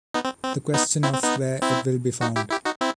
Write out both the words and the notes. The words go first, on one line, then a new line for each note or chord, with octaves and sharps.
The question of where it will be found.
B3 D#4
C4
C4
B3 D#4
C4 E4
C4
B3 D#4
C4 E4
D#4 F#4
E4 G4
E4 G4
D#4 F#4
C4 E4